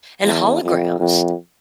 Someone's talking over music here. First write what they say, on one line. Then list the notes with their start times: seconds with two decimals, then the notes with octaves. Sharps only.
And holograms.
0.25 E2
0.62 F2
1.00 F2